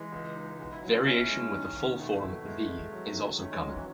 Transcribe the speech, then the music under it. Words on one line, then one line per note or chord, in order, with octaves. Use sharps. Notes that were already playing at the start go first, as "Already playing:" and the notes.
Variation with a full form "the" is also common.
Already playing: E3 G#3
C#2
D#4
B2 G#3
E4
F#3
C#4
C#4 E4
G#3
D#3
D#2
B2 A3
E4
G#3
G#3
F#3
D#3
A3 C#4
G#3
F#3 G#3
E3